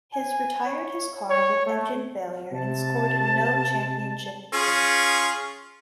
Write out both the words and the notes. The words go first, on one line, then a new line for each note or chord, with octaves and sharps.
His retired his car with engine failure and scored no championship points.
G#5
C#5
C#5
A3
C3 A5
C#4 F4 G#4